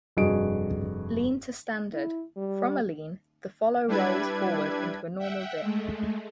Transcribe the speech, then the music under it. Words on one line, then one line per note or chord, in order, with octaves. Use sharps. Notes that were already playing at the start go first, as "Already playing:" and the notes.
"Lean to Standard:" From a lean, the follow rolls forward into a normal dip.
F1 G2 F#4 G#4 D#5 D7
E4
G3
G3 D4 E4 B4 G#6
E5 F#5 G5
G#3 A3